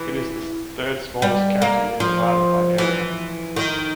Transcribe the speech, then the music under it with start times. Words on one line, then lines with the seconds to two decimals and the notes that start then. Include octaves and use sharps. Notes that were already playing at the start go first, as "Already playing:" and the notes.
It is the third-smallest county in Nevada by area.
Already playing: E3
1.22 G3
1.62 A#3
2.00 F3
2.78 E3
3.56 D#3